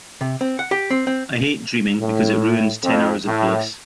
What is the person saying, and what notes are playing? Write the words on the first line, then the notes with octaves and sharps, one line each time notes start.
I hate dreaming because it ruins ten hours of bliss.
C3
C4
F#5
G4
C4
C4
A2
F2
A2